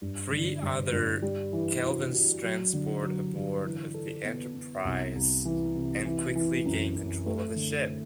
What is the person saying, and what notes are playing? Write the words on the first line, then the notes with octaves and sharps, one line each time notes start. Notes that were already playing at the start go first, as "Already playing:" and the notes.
Three other Kelvans transport aboard the "Enterprise", and quickly gain control of the ship.
G2
D3
G2
G2
G3
E3
F#4
F#4
F#3
D3
F#3
D3
E3
A4
B3
B3
C2
C2
E3
C3
E3
E3
F#2
F#2
A3
D3
A3